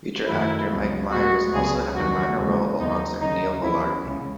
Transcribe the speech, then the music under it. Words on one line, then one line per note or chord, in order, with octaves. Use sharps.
Future actor Mike Myers also had a minor role alongside Neil Mullarkey.
F#2 D#3 F#3 A3 E4
C#2 C#3 F#3 B3
A2 G#3 B3 F#4
C#2 C#3 F#3 B3 G#4
E2 D#3 F#3 F#4
D#2 C#3 E3 G#3
D#2 D#3 F#3 B3 D#4
D#2 C#3 F#3 D#4
D#2 C#3 E3 B3 E4
C#2 C#3